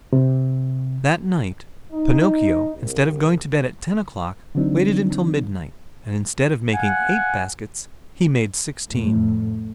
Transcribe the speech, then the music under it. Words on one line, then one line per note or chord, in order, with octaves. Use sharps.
That night, Pinocchio, instead of going to bed at ten o'clock waited until midnight, and instead of making eight baskets, he made sixteen.
C3
D#4
C2
D3 E3 F#3 C4 D4 D#4
F5 F#5 G#5
F2 A2 A3